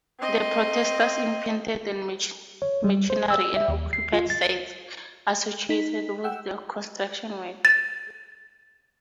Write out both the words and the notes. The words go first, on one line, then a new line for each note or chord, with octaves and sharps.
Protesters impeded machinery and occupied sites associated with the construction work.
C4 D#5
C#5
G3
C5
E6
E5
D#2
C7
F4
A6
D#4 B6
F#5 G5 E6
A6